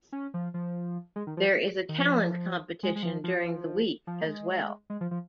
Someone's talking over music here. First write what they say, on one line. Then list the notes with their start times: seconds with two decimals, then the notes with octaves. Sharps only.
There is a talent competition during the week as well.
0.12 C#4
0.34 F3
0.54 F3
1.16 G#3
1.27 D#3
1.37 F3
1.89 D#3
1.99 F3
2.83 G#3
2.96 G#3
3.03 F3
3.24 F3
4.07 F3
4.21 A#3
4.27 G#3
4.90 G#3
5.01 F3
5.11 F3